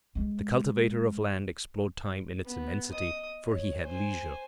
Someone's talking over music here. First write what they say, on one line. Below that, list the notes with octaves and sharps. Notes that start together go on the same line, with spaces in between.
The cultivator of land explored time in its immensity, for he had leisure.
G#3 A3
B3
D#5 D#6
C#5
C5 G#5